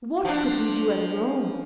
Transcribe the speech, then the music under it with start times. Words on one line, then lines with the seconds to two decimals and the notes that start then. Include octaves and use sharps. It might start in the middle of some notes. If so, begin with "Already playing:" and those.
What could we do at Rome?
0.25 F3 D4